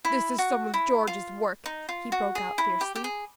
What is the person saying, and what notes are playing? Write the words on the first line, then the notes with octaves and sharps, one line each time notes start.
"This is some of George's work," he broke out fiercely.
E4
F#4
E4
F4
D#4
F4
F#4
G#4
E4
G4
G4
G#4